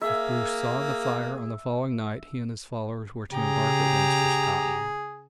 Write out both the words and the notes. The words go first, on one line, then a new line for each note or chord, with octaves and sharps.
If Bruce saw the fire on the following night he and his followers were to embark at once for Scotland.
A#3 G#4 E5
C#3 G4 G#4 A#5